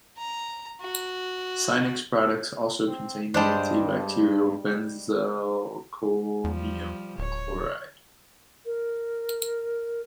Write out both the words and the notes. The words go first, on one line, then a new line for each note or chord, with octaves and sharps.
Sinex products also contain the antibacterial Benzalkonium Chloride.
A#5
F#4
C4
G2 G3 G#3 D4 C5 A5
E2 F3 G3
D1 C#5
A#4